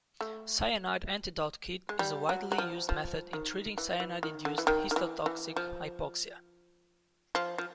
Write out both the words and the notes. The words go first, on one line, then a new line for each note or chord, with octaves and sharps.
Cyanide antidote kit is a widely used method in treating cyanide induced histotoxic hypoxia.
A3
G#3
G3
F#3
F#3
F3
F3
D#3
E3
E3
D#3
D3
E3
D#3
D#3
E3
E3
F3
F3
F3